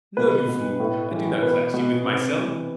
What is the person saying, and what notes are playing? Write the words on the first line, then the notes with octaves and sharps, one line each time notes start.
No, you fool, I do not class you with myself!
B2 B4
B2
A2
E3
B2 B4
B2
C3
E3